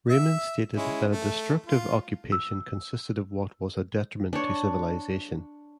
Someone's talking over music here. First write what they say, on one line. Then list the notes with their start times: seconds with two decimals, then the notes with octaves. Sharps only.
Raymond stated that a destructive occupation consisted of what was a detriment to civilization.
0.09 E5 E6
0.76 G#3 C#4 E4
1.10 A3
1.66 F4
2.32 E6
4.33 D4 C#5